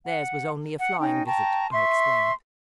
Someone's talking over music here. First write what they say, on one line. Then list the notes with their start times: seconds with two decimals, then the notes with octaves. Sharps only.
"Theirs was only a flying visit," I explained.
0.04 F#5
0.79 F#5
0.99 C#4 D#4 G5
1.26 G5 A5 A#5 C#6
1.72 E5 C6 C#6